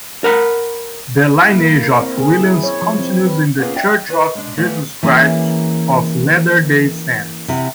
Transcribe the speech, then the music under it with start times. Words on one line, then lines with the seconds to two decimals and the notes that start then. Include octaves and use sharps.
The lineage of Williams continues in The Church of Jesus Christ of Latter-day Saints.
0.24 A#4 F#5 B5
1.37 E4
1.53 A#3
1.83 A#4
2.00 C4
2.19 G#4
2.40 E4
2.64 C#5
2.82 F3
2.99 C4
3.27 B4
3.59 A#3 B3 C#4 D4 F4 G#4
3.76 D5 E5 G5
4.09 D#3 B4
4.35 G#3 D4
4.57 E3 F3 A3 B3 D4
5.03 E3 A#3 C#4 E4 G#4
7.48 C3 E4 F#5